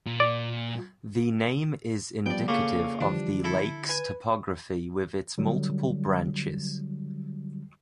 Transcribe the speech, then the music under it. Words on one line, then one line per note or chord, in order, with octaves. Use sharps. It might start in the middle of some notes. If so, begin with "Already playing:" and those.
The name is indicative of the lake's topography with its multiple branches.
A#2
D5
F3 G3 B3 D5 G5
A#2 C#3 A4 C#6 D6
D3 E3 F3 G3 D4
E4 A4
B4 G#5
D3 F#3 G3